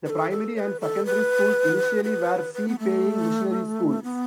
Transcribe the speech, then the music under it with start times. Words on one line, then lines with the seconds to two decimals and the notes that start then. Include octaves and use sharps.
The primary and secondary schools initially were fee paying missionary schools.
0.06 B4
0.09 A4
0.31 A4
0.56 C#5
0.59 B4
0.80 A4
1.06 B4
2.04 B4
2.54 B4
2.68 B3
2.79 A3
4.03 B3